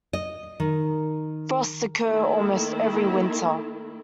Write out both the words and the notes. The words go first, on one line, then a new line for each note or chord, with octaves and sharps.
Frosts occur almost every winter.
D#5
D#3
D#3 A3 A#3 E4